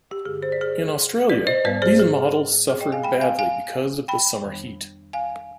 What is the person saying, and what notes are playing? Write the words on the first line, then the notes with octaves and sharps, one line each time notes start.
In Australia, these models suffered badly because of the summer heat.
G4
G2 D3 G#3 G#4
C5
D5
G#4 C5
B4 D5
C5 D#5
G#2 G3 B3 B4 D5
G#4 C5
G#4
G#4
D#5 G5
F5 G#5
B2 G#3 B3 G5 B5
F5 G#5
F5 G#5
G5 B5
F2 D#3 G3 B3
F5 G#5